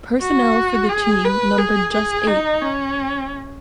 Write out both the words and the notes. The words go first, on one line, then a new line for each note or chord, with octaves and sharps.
Personnel for the team numbered just eight.
F#4
G#4
B4
G#4
G#4
D#4
C#4